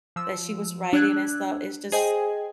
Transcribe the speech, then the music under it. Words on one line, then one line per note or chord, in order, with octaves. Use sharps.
that she was writing and stuff. It's just
F3 E6
D4 E6 F#6 G#6
G#4 C5 D#5 G5 G#5